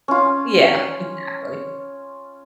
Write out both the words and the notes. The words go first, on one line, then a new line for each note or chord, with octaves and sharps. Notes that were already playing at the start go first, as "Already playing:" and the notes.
Yeah, exactly.
C#4 F4